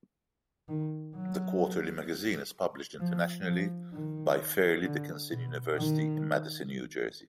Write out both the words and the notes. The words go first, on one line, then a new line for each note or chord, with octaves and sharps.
The quarterly magazine is published internationally by Fairleigh Dickinson University in Madison, New Jersey.
D#3
F#3
F3
F3
D#3
D3
B2
D#3